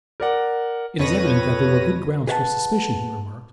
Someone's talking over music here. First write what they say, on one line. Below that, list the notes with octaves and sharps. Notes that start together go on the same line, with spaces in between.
"It is evident that there were good grounds for suspicion," he remarked.
A#4 D5 F#5
F2 B4 C#5 A#6 D#7
G#4 B4 C#5 E5 F#5 A5